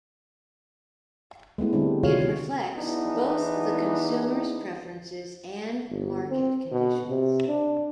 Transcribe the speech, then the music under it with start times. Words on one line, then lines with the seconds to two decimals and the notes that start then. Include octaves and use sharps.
It reflects both the consumer's preferences and market conditions.
1.58 G#3 A3 B3 E4
1.73 D3 G3 C4 D4
2.03 C3 D#3 F4 F#4 C#5 F5
2.77 E2 E3 B3 D4 D#4
5.91 G1
6.31 C4
6.71 B2
7.09 C3
7.48 D4